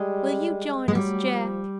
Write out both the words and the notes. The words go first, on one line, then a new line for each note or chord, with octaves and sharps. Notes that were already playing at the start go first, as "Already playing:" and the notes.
"Will you join us, Jack?"
Already playing: G3 G#3
G#3
F#3 G3
F3